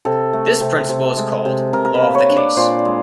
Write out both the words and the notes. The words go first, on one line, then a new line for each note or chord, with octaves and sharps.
This principle is called law of the case.
C3 A4
A3
C3
C3
G#3
C3
C3 A#4
A#4
B4
A#3
C#5
D4
D5
A#2 C5
G#3